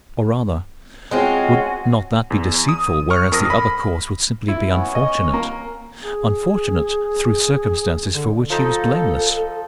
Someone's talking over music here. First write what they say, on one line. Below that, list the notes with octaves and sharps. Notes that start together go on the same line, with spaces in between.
Or, rather, would not that be deceitful, whereas the other course would simply be unfortunate--unfortunate through circumstances for which he was blameless?
G#3 C4 F4 F#4 C#5 G#5
E2
D#6
C#6 F6
F2 A#4 D#6 A#6
B5
E4
B3 C#4 F#4
D#5
A#3
G#4
D3
F3 D#4 A4 A5